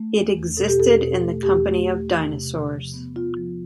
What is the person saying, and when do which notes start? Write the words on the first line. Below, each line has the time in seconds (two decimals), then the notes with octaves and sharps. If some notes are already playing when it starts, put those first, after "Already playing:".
It existed in the company of dinosaurs.
Already playing: A3
0.15 E2
0.37 E2
0.57 B2 A4
0.68 G4
0.79 E2 A4
1.01 B2
1.23 A3
1.43 E2 G4
1.66 A3
1.87 A3
2.09 E2
2.30 C3
2.51 C3
2.72 F3
2.94 B3
3.15 B3 F4
3.37 F3